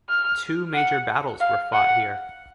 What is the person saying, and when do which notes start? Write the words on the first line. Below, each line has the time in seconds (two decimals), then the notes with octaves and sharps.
Two major battles were fought here.
0.09 F6
0.74 F#5
1.40 F5
1.73 F#5